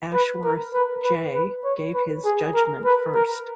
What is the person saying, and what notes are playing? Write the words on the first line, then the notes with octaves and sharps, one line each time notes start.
Ashworth J gave his judgment first.
B4
A#4
B4
B4
B4
C#5
B4
G#4
A#4
B4
A#4